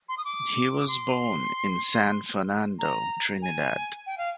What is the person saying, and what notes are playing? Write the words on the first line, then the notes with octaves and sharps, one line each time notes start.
He was born in San Fernando, Trinidad.
C6
D#6
D6
D6
C6
A#5
G#5
G5
F5